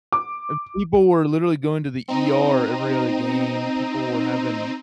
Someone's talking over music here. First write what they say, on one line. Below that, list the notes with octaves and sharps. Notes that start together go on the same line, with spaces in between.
and people were literally going to the ER every other game, people were having
D6
C4 D#4 A#5 D#7